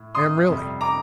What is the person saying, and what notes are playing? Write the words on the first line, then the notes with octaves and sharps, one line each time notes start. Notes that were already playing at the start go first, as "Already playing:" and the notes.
Am really.
Already playing: A2
C6 D#6
F2 C3 G3
A#5 D6